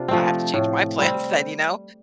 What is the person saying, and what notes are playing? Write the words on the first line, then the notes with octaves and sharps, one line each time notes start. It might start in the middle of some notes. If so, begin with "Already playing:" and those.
I have to change my plans then, you know?
Already playing: C3 D4 F4
F3 A3 C4
A2
G3 C4